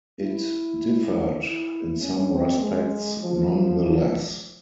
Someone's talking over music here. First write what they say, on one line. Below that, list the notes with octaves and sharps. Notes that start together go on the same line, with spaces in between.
It differed in some respects nonetheless.
E4
E4
C#4
C4
G#3
F3